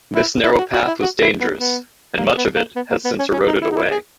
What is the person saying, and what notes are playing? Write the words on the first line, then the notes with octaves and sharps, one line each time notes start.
This narrow path was dangerous and much of it has since eroded away.
E4
E4
F#4
F#4
E4
F#4
E4
B3
B3
A#3
B3
A#3
B3
A#3
B3
C#4
C#4
D#4
E4
D#4
E4
G#4